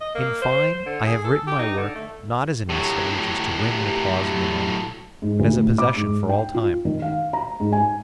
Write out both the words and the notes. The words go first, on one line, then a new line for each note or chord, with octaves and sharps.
In fine, I have written my work, not as an essay which is to win the applause of the moment, but as a possession for all time.
D#5
A#3
C5
C5
D3
G#4
A4
G4
D#4
D3
A3
A2 F#3 G4
G#2
D2
A2
D6
G#2
G5
F4
D#3
F5
A#5
G#2
G#5